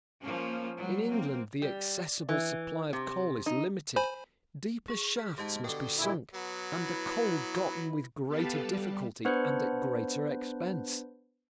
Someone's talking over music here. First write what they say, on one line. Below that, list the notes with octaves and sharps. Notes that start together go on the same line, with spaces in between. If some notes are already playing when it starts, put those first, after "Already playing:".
In England the accessible supply of coal is limited, deeper shafts must be sunk, and the coal gotten with greater difficulty and at greater expense.
F3 A#3 C#4
F#3 G3
A#3 C4
G3
E3
C3
D#4
C5 G#5 B5
G#4 C#6
F6 B6
G#2 G4 D#5 A5
B2 D3 G5 G7
A#2 E4
F#3 B3
E4 B4
B3 G4 A4 B4 F5 A5
G3
B3 D4 B4 C5